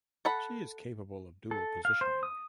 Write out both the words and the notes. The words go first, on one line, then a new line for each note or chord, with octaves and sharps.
She is capable of "dual positioning".
A4 F#5 B5
A4
F5
C5
D#6